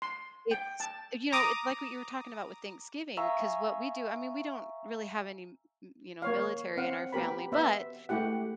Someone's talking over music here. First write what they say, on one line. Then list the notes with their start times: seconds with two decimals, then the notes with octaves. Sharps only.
it's, you know it's like what you were talking about with Thanksgiving 'cause what we do I mean, we don't really have any, m m you know, military in our family, but
0.02 C6
0.51 G5
0.80 A5
1.32 A#5 D6 D#6
3.17 E5 F5 G#5 A#5 C#6 E6
6.22 A#3 C#5 F5
6.77 C4 F5 F#5
7.13 B3 G4 A#4 B5
7.52 B3 E5
8.09 G#3 A3 E4 G4 F#5